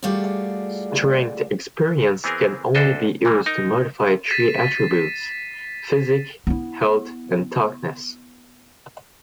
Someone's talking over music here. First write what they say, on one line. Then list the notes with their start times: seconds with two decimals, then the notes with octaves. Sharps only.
Strength experience can only be used to modify three attributes: Physique, Health, and Toughness.
0.03 G3 A3 F4 F#4 G#4 D5
2.24 E3 B3 C4 G#4 A#4
2.75 D2 D4 A4 C5 D#5
3.25 A#2 E3 G3 A#3
3.46 D#4 A#4
4.31 A6 B6 C7 D#7 E7
6.47 B3 E4